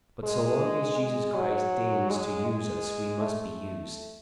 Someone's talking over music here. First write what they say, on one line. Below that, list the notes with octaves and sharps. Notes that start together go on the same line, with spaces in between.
But so long as Jesus Christ deigns to use us, we must be used.
G#3
G#3
F#3
G#3
G#3
A3